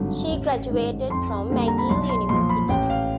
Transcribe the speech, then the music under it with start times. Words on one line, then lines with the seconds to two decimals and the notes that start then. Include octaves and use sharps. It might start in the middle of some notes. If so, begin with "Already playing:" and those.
She graduated from McGill University.
Already playing: G#1 G2 D3 F#3
0.30 A1
0.69 G#2 D#3
1.10 F2 C6
1.50 D3 G3 A#3
1.68 A#5
1.78 B5
1.89 B1 C6
2.09 C6
2.29 A#2 F3 C6
2.49 B5
2.69 A1 G5
2.90 F5